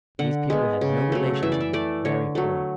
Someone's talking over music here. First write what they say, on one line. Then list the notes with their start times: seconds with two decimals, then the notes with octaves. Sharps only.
These people had no relations and were very poor.
0.19 D3 F#5
0.50 G#3 B3
0.81 C#3
1.12 F#3 A3
1.43 E3 E5
1.52 D5
1.61 E5
1.73 A3 D5
2.05 D3 C#5
2.35 F#3 A3